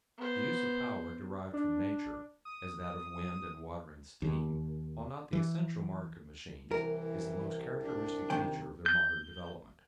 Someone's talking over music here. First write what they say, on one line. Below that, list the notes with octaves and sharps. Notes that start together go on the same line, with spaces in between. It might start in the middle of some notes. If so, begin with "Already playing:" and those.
The use of power derived from nature, as that of wind and water and steam, while not the essential mark of machines, is the most characteristic feature of their modern development.
B3 C5
D4
D#6
D#2
E3
C2 E3 A#4
D4
C3 D#3 G5
G6